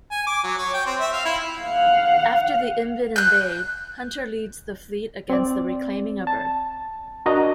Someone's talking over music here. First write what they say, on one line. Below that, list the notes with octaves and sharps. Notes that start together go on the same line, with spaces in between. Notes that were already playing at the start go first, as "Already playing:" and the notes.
After the Invid invade, Hunter leads the fleet against the reclaiming of Earth.
G#5
D6
F#3
C#5
G5
C4
E5
F5
E4
F5 F#5
F#6 G6
C4 D5
A5
D4 F#4 A#4 D#5 A#5